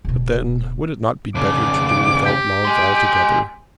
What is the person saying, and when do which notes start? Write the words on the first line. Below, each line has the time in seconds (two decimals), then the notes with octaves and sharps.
But then would it not be better to do without love altogether?
0.05 D1 B2
1.35 F2 C#3 D6
2.25 G4
2.65 G#5 C6